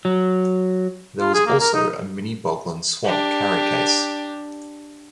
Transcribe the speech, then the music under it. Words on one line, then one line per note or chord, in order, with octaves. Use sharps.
There was also a Mini Boglins Swamp Carry Case.
F#3
F4
G#4
A#3
A#4
D#4
D4 G4